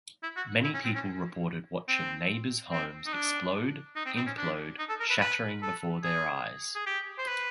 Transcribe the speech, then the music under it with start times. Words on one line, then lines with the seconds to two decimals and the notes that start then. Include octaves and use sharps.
Many people reported watching neighbors' homes explode, implode, shattering before their eyes.
0.23 E4
0.36 F#4
0.64 E4
0.74 C#4
0.84 C4
0.95 C#4
1.88 C4
2.72 C4
3.06 D#4
3.13 D4
3.96 D#4
4.06 C4
4.17 C4
4.27 C#4
4.38 D4
4.79 D#4
4.89 A4
5.00 A#4
5.10 B4
5.21 B4
5.62 A4
6.03 G#4
6.75 G#4
6.86 G4
7.18 C5
7.28 B4